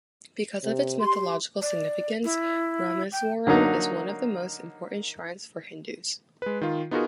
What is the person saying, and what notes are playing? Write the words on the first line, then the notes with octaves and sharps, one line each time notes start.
Because of its mythological significance, Rameswaram is one of the most important shrines for Hindus.
C3
G4 C6
D5
E4
G5
D3 F#3 A#3 D#4
G#3 B4
D#3 F4
B3 D#4 F4 F#4 G#4 A#4